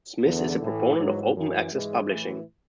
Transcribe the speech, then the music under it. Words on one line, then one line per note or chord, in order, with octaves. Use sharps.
Smith is a proponent of open access publishing.
E2 D3
A2 E3
G#2 E3 F#3
F#2 E3
G#2 E3 G#3
A2 E3